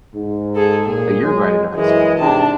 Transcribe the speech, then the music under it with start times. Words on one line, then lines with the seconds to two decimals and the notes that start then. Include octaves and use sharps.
A year ago, I didn't know how to swim,
0.13 G#2
0.55 G#4 A4
0.85 A#2 G#4
1.22 F#3 G#3
1.75 F#2 E3 G#3 D#5
2.18 E2 G#2 C3 D4 A5